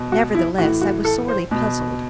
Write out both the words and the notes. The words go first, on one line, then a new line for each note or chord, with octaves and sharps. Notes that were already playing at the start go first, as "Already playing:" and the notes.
Nevertheless, I was sorely puzzled.
Already playing: B2
F#4
E4
A2 E3 F#4
F#4
A4
C5
B2